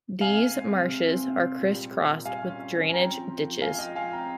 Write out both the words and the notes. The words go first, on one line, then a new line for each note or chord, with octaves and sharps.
These marshes are criss-crossed with drainage ditches.
C3 F5 G#5
C3
G#3
C3
C3
C4
C3
C4
A#2
G3
G3
A#2
G3 F5 G#5
C#4
C#4
C#4
G#5
C4 G5 A#5
F3
F3
F3
F3 F5 G#5
F3 D#5 G5
F3 F5 G#5
C4 G5 A#5